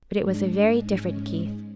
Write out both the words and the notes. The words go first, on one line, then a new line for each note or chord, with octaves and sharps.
But it was a very different Keith.
G#2 G#3 D4
C#4